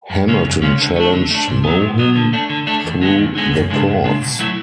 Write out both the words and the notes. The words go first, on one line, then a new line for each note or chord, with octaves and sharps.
Hamilton challenged Mohun through the courts.
F#2
C#3 G#3 C#4
F#2
C#3 G#3 C#4
D3
A3 D4
D3
A3 D4
G#2
F#3 B3
G#2
F#3 B3
D3
A3 D4
D3
A3 D4
E2
D3 G#3 B3
E2
D3 G#3 B3
F#2
C#3 G#3 D4
F#2
C#3 G#3 D4
B2
F#3 A3 E4